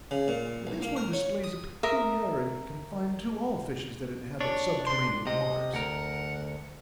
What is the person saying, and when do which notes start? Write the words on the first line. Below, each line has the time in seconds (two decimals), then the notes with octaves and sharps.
But this one displays a peculiarity confined to all fishes that inhabit subterranean waters.
0.11 C#3
0.28 A#2
0.67 B1
0.82 A#3
0.96 A#4
1.13 C#5
1.44 D#6
1.83 A#4 E5 D#6
4.41 D4 C#5
4.87 C6
5.27 C3 D#5
5.74 D2 A#4 F#5